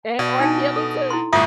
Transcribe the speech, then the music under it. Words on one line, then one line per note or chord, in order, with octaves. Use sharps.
And R. Kelly too.
B2 D5
D4 D#4 A5
A4
E4 C6
G1 A2 F4 E5 D#6